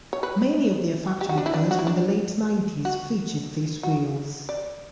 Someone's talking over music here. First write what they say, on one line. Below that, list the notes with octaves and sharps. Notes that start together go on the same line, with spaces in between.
Many of their factory cars from the late nineties featured these wheels.
C#5
B4
G4
F#4
D4
E4
D4
F#4
E4
D4
F#4
F#4
D5